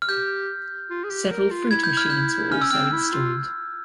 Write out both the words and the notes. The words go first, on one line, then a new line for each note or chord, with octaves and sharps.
Several fruit machines were also installed.
F6
G4 G6
F4
G#4
G4
A#4
F4
E4 G#6
G6
F6
G6
C#4 F6
E6
C4 F6
E4
F4